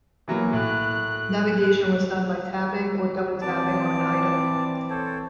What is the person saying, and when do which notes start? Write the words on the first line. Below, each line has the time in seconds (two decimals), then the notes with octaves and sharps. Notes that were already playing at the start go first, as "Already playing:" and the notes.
Navigation was done by tapping or double tapping on an item.
0.28 E3 F#3 A#3
0.53 A2 F#6
3.41 E3 C4 D5 A5 D6
4.90 A4 C5 C#5